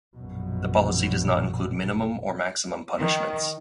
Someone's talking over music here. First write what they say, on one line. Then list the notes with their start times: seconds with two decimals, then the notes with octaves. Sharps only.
The policy does not include minimum or maximum punishments.
0.16 A#1 F#2 B2
2.97 D#3